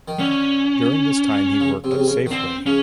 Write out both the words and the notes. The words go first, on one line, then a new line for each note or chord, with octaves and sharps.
During this time he worked at Safeway.
D#3
D3 C#4
C#3
C3
C#3
C3
C#3
D#3
D3 C4
C#3 C#4